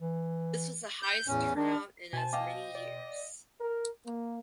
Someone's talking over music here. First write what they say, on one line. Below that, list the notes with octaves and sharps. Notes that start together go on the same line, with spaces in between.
This was the highest turnout in as many years.
E3
G6
E2 A2 C#4
D#3 D4
B2 C5 G#5 A5
D#5 F5 G5 D6
D5
A#4
A#3